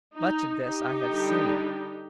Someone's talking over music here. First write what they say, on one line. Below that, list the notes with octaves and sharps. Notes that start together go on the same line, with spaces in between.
Much of this I have seen.
D#4
D#4 G4
D3 G3 D4